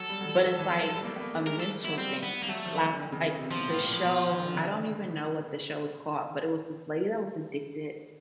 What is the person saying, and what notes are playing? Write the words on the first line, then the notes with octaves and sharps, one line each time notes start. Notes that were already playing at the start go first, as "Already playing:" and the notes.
but it's like a mental thing, like, the show I don't even know what the show is called, but it was this lady that was addicted
Already playing: F#3 A4
G3
F#3
G3
F3
F#3
E3
F3
F#3
G3
A#3
A3
B3
A#3
A3
G#3 A#4
A4
F#3 E4
G3 C4
B3
A#3
F#3 A3
F3
E3
D3
D#3
C#3
C#3
C3
B2 F3
A2
A#2
B2
E3
D#3
D3
C#3